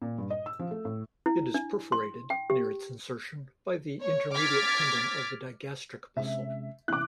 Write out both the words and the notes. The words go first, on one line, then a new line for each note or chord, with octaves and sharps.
It is perforated, near its insertion, by the intermediate tendon of the digastric muscle.
A#2
G2
D#5
E6
F3
A3
A2
E4
D4
C6
G5
G4
C#5
D6 F6 G#6 A6 B6
C3 G#3 C#4 E5
C3 E3 E4 D6 F#6